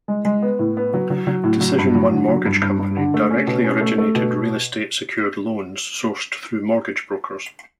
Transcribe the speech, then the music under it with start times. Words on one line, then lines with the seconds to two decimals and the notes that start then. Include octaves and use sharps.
Decision One mortgage company directly originated real estate secured loans sourced through mortgage brokers.
0.08 G#3
0.25 G#3
0.42 B3
0.59 A2
0.77 B3
0.94 F#3
1.10 F#3
1.27 F#3
1.44 A2
1.61 F#3
1.78 G2
1.95 F#3
2.11 D3
2.28 F#3
2.46 G2
2.62 G2
2.79 G2
2.97 D3
3.14 A3
3.31 C#4
3.47 B2
3.64 C#4
3.81 A3
3.98 A3
4.15 B2